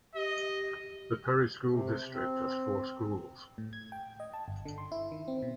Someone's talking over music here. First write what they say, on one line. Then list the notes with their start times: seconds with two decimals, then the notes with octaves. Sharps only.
The Perry school district has four schools.
0.15 G4 D#5
1.69 C3
2.13 C4
3.58 A2
3.73 G#6
3.92 G5
4.20 D#5
4.34 A5
4.48 G1
4.65 D3
4.78 C6
4.92 E4
5.12 D#3
5.28 C4
5.42 B2